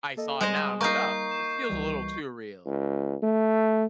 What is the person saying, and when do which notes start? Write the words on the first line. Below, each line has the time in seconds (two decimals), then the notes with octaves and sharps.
I saw it now. I'm like, "Oh, this feels a little too real."
0.17 A#3 A4 D#5
0.41 G3 G#3 C5 D#5
0.81 A#3 D#4 C#6 G6 C7
1.31 E7
1.69 C#2 E3 G3
2.66 C#2
3.23 A3